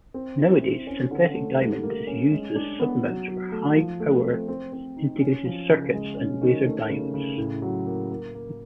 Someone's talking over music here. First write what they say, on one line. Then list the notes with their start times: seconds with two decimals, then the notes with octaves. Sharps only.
Nowadays synthetic diamond is used as submounts for high-power integrated circuits and laser diodes.
0.14 C4
0.38 E4
0.62 C4
0.87 C#4
1.11 D3
1.35 A3
1.59 G3
1.83 A#3
2.07 C#4
2.31 G#3
2.55 D4
2.79 B3
3.04 F#3
3.28 F#3
3.52 A3
3.76 F3
4.00 A3
4.24 C4
4.48 C4
4.73 C4
4.97 D#4
5.21 C#4
5.45 F3
5.69 C#3
5.93 G#3
6.17 C#4
6.41 D#3
6.65 A3
6.90 C#3
7.14 C#3
7.37 A2
7.62 F#3
7.86 A#3
8.11 A#3
8.34 A#3